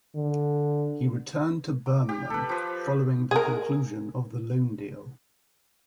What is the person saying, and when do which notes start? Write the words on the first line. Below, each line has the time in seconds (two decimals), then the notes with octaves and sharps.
He returned to Birmingham following the conclusion of the loan deal.
0.16 D3
1.86 D6
2.09 G4
2.30 A4 B4
2.49 F3 B4
3.31 G#4 A#4